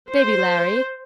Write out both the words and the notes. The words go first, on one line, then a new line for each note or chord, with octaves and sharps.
"Baby Larry."
C5